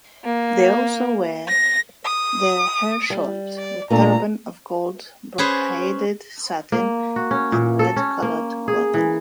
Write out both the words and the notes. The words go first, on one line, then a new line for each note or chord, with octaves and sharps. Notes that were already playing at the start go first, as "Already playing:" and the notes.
They also "wear their hair short, with turban of gold-brocaded satin", and red-coloured clothing.
A#3
A#6
D#6
G3
D5
A#2 A3 D4 A#5
C#4 G#4 B4 C5
A#3
F#4
C#4
A#2
A4
C#4
A#3
G#4
E3